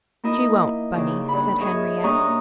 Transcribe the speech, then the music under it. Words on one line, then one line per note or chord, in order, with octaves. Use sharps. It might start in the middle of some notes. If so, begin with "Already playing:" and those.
"She won't, Bunny," said Henriette.
A#3 D#4 E4 D#5
D#2 C#3 D#4
G2 B5
G#4 C#5 D#5 E5
G2 A#3 C#4 A#5 C#6 D#6